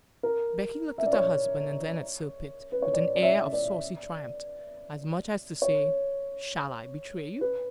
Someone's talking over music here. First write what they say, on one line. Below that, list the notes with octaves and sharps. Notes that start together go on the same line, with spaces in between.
Becky looked at her husband, and then at Sir Pitt, with an air of saucy triumph--as much as to say, "Shall I betray you?"
A#4
E5
D5
C#5
B4
C#5
D5
D5
E5
D5
C#5
B4